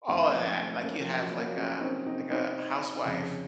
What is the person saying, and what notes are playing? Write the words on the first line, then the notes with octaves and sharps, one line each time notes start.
all of that, like you have, like, a like a housewife
F#2 D#3 A3 C4
F3 A3
A3 C4
A#3 C#4
F3
F#3
F#3 A#3
A#3 C#4
C#4
C4 D#4
C4 D#4
C4 D#4
F2 C#3